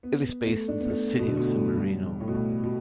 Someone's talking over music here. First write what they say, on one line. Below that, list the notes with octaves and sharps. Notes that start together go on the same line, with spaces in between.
It is based in the city of San Marino.
B3
A3
D4
B3
A3
B2
D3
B2
A2
G2
A2
B2
A2
B2